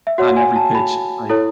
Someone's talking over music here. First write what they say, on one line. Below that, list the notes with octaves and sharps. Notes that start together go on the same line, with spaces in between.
on every pitch, like,
E5
F#4 C#5 F#5
G#5
A5
B5
E4 A4 C#5